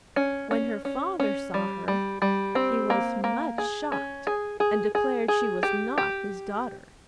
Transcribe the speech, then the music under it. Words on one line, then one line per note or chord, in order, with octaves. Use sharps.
When her father saw her, he was much shocked and declared she was not his daughter.
C#4
C#4
C#4
C#4
G3
G3
G3
C4
A#3
A#3
G#4
C#4
G#4
G#4
G#4
G#4
G4
G4